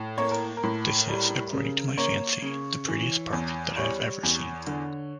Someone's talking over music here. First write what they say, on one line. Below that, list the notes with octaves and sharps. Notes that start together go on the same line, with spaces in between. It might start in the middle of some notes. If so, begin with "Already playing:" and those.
This is, according to my fancy, the prettiest park that I have ever seen.
Already playing: A2
A#3 C#5
A#4
A#4
A2
G3
C#3
A#3 C#5
C#3
E3
E2
G3 C#5
E2
D3